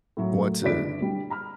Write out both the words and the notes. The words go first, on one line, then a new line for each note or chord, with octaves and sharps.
want to
A2 F#3
F#3 A3
G1 E4 G#4 D5 B6 D7
D3 G3
A#5 B5 F6